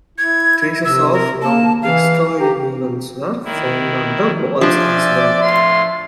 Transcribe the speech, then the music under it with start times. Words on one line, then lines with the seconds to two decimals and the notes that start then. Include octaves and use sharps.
Traces of now destroyed murals were found on the walls as well.
0.18 E4 G#6
0.85 C3 E6
1.13 A#4
1.42 A#3 A5
1.82 E3 F5
2.40 G4 A#5
3.44 D#3 E4
4.61 F3 D4 D5 E5 G5 G#5
5.42 A2 F4 C6